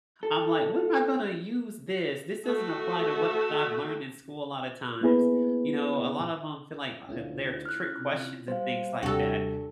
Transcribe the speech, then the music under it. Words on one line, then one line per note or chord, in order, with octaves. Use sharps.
I'm like, "When am I gonna use this? This doesn't apply to what I've learned in school a lot of times." You know, a lot of 'em feel like, uh, they're trick questions and things like that,
A4
A3 F#4
A#3 B3 E4 G#4 B4
D2 C#4 E4 F4
F6 F#6
C3
G3 C5 F5
D#2 C3 G3 D4 F#4 A4